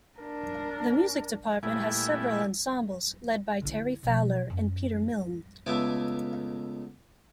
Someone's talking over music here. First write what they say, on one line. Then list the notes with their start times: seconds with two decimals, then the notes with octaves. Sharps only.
The music department has several ensembles led by Teri Fowler, and Peter Milne.
0.19 D4 A#4
1.63 A#2 E3 G3 A3 E4 G#5
3.62 D3 E4
4.03 B2 F3
4.50 F#2
5.66 C#2 B2 A3 E5 G#5 D6